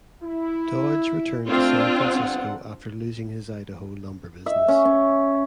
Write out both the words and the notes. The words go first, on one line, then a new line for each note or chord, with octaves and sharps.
Dodge returned to San Francisco after losing his Idaho lumber business.
E4
A3 C4 D4 F4
G1 F#5
E5
C#4
C#4